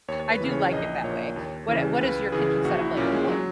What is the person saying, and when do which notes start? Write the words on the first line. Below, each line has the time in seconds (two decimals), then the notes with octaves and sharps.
I do like it that way. What a what is your kitchen setup like at home?
0.08 D#2 C#5
0.20 C#5
0.30 B4
0.41 C#3 E3
0.51 C#5
0.72 A#1 D#5
1.04 A#2 C#5
1.36 D#2
1.68 C#3 E3
2.01 C#2 B4
2.32 C#3 E3 G#4
2.64 A#1 F#4
2.80 E4
2.97 A#2 C#4
3.12 G#3
3.28 F#3